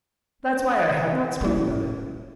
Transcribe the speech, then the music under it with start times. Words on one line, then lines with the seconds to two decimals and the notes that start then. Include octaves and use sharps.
That's why I had not spoken of it.
1.41 C#4 E4